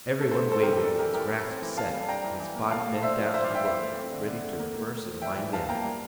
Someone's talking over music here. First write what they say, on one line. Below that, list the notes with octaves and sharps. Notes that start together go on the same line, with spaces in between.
Every one waited with his grasp set, and his body bent down to the work, ready to reverse and wind in.
A3 A4
A4 C5
A2
C4 A4 C5
G4 A#4
E3
G4
D4 A4
E3 G4 A#4
E3 G4 A#4
A3
C4
E3
E3 F5 A5
G3
D4 G5 A#5
E3
E3
A#3
A3 F5 A5
A2
D4 C5 E5
F3
F5
D4 C5 E5
D5 F5
E3
E5 G5
E3 C5 E5
A3
C4
D3
D3
A3
A#3
A2
A2
F3
D4 E5 G5
E3
E3 F5 A5
A#3 G5 A#5
G3